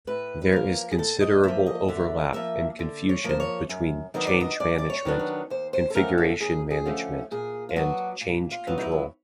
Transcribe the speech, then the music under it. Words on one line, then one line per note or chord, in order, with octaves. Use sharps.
There is considerable overlap and confusion between change management, configuration management and change control.
A2 B4
B4
F3 A#3 A#4
G#4
A2 A4
D#5
F3 A#3 E5
D#5
D3 E5
F3 A#3 E5
D3
C#5
F3 A#3 C5
C#5
F#2
D#3 F#3 B3 D4 D#5
D5
D#5
F#2 D5
D5
C#5
D#3 F#3 B3 D4
C#5
D#2 C5
C5
A4
D3 F3 A3 C#4 A#4
A4
D#2 G#4
G#4
D3 F3 A3 C#4
A#2 G#4
F4
F#3 B3 D4 F#4
A#2
F4
F#3 B3 D4
D#4
E4